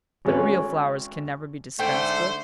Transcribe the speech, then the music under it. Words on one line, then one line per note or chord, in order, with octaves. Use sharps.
But real flowers can never be dispensed with.
G#1 G#3 A3 C#4 B4 C#5
G#2 D3 A3 C5 G5